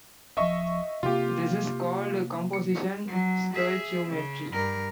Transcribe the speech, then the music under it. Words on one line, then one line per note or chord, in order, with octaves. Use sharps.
This is called "composition stoichiometry".
D1 F3 D#5 E5 C#6
C3 A#3 F4 G4
C#7
F#3
G#4 E5
C#3
G2 A#4